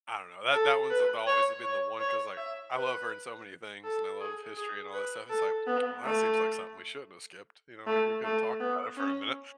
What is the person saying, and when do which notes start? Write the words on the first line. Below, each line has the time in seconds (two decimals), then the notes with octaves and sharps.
I don't know, that that one's a the always been the one 'cause, like, I love her in so many things, and I love history and all that stuff, it's like, "Well, that seems like something we shouldn't have skipped, you know? Like, we could've talked about it for a minute,"
0.54 A4
0.90 B4
1.27 C#5
1.64 C#5
2.00 C#5
2.37 E5
2.74 B4
3.84 A4
4.20 G#4
4.57 G#4
4.94 B4
5.30 A4
5.67 B3
6.04 A3
7.86 A3
8.24 A3
8.60 B3
8.97 C#4